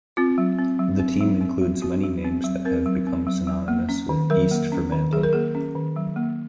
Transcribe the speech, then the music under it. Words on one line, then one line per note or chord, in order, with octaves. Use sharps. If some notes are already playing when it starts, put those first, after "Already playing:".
The team includes many names that have become synonymous with East Fremantle.
C4 F4
F#3
C4
F#3
C4
F#3
C4
F#3
C4 F#4
F#3
C4
F#3
C4 A#4
F#3
C4
F#3
F#3
A#3
C#4
D#3
F#3 A#4
A#3
C#4
D#3
F#3 G#4
A#4
A#3 G#4
C#4
D#3
F#3
A#3